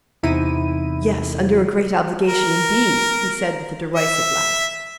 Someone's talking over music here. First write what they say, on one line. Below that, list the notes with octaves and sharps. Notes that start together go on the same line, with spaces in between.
"Yes, under a great obligation, indeed!" he said with a derisive laugh.
E2 C3 D#4 E4 D#7
A#4
E5